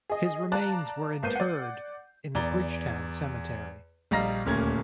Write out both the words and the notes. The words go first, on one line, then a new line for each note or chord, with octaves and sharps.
His remains were interred in the Bridgetown cemetery.
G#4 D#5
D5 F5 A5 A#5 F#6
G#1 A#3 B3 G6 C7 D#7
D5 F#5
E2 D5 A#5 G7
A#1 G3 D#5 F5 A#5 A#6
D#1 D2 A#2 A#3 C#4 G#6